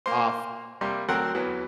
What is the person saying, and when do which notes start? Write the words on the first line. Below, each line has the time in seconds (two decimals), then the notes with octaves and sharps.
uh, f f
0.06 A#3 C5
0.81 C3 G3 A#3 C6
1.09 D2 F#3 C4 A#4 C5 F#5
1.35 E2 E3 F#3